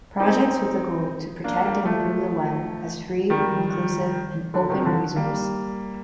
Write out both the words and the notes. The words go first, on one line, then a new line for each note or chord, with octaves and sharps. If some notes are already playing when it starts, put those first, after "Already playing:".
Projects with the goal to protect and improve the web, as free, inclusive and open resource.
C4 D#4
A#3 D4
G3 A#3
F3 A3
D#3 G3
D3 F3
C3 D#3
D3 F3
G3 A#3